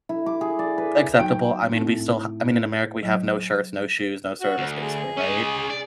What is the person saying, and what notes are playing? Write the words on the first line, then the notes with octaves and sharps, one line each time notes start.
acceptable, I mean, we still h I mean, in America we have no shirts, no shoes, no service, basically, right?
E4
D6
G#4
D5
B4
F#3 D#4 G5 D7
A2 C4 D#4
F#3
F#4
D2
G#4
C#4 D#5
D5